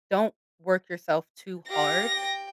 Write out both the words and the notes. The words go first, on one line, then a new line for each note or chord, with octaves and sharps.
don't work yourself too hard
G4 F5 A#6
G5